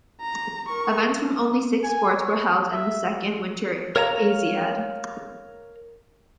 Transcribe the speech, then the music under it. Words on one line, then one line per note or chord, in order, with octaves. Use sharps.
Events from only six sports were held in the Second Winter Asiad.
A#5
A#4 C#6
G#5
C#5
E5
A#4 C#5 F5 A5 A#5